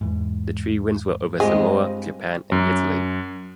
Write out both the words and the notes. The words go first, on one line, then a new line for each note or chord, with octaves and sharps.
The three wins were over Samoa, Japan and Italy.
E2 G#2
G2 G#3 C4 F4 G4 G#4 D#5
F#2